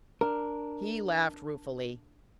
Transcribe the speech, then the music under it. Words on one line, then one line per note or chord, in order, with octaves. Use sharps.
He laughed ruefully.
D4 A#4